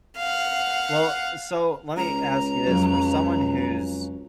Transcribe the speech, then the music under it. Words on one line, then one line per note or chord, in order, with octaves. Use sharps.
Well, uh, so, let me ask you this. For someone who's
F5 F#5
C#2 A#5
F2 C#3 F#3